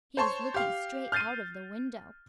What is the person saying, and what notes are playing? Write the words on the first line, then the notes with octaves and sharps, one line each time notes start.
He was looking straight out of the window.
C5 C#5 A5 C6 C#6
G4 F5
F6 G6 A6 C7 D#7